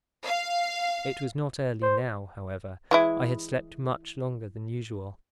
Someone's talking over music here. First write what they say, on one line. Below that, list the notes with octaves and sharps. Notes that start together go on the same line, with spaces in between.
It was not early now, however; I had slept much longer than usual.
F5
C5
E3 G#3 E4